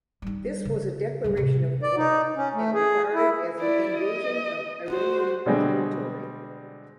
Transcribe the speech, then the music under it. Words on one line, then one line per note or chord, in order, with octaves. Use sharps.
This was a declaration of war and regarded as an invasion of Iranian territory.
G3 D#4
C#3
D1 G3
A1 C3
D5
D#4
C#4
A3
G#4
E4
E4 D5
D#5
F#4 C5
B2 D3 G3 G#3 C4